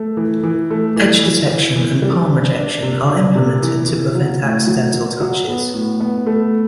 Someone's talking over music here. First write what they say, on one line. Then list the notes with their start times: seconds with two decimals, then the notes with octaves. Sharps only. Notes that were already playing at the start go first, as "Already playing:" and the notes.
Edge detection and palm rejection are implemented to prevent accidental touches.
Already playing: A3
0.17 E3
0.43 E3
0.70 A3
0.96 E3
1.23 E3
1.50 E3
1.76 E3
2.02 G3
2.29 D4
2.55 D4
2.82 C3
3.09 D4
3.35 C3
3.62 E3
3.88 E3
4.15 F#3
4.42 A2
4.67 F#3
4.94 F#3
5.20 F#3
5.48 B3
5.74 A2
6.00 B3
6.26 A3